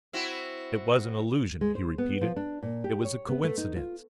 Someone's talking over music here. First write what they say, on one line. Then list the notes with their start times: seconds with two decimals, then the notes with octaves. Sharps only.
It was an illusion, he repeated; it was a coincidence.
0.13 C4 E4 F#4
1.61 G#3
1.75 C5
1.98 B3
2.21 F3
2.36 D4
2.63 A#2
2.84 G4
3.05 C#5
3.29 B3
3.43 A3
3.58 D#4
3.76 F4